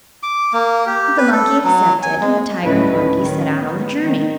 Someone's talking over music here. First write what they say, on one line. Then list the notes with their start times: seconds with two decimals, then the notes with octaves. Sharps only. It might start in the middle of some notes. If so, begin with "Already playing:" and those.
The monkey accepted, and the tiger and the monkey set out on the journey.
0.23 D6
0.53 A#3
0.86 G4
1.18 B4
1.32 A4
1.64 F#3
2.03 G#5
2.21 G#3
2.64 D2 A2 C#4 E4 B4 D#5
3.21 D#3 C#4
3.57 B3
4.03 D#3